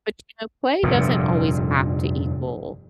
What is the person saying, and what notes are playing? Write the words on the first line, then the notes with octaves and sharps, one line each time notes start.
But, you know, play doesn't always have to equal
F1 G2 A#2